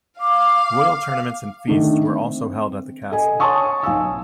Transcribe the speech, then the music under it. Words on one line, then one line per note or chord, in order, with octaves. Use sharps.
Royal tournaments and feasts were also held at the castle.
F5 D6
D#3 A3 D4 D#4
C4
A4 D#5 G#5
C#5 G#5 A5 C6 C#6 D#6
B1 F5 G#5 E6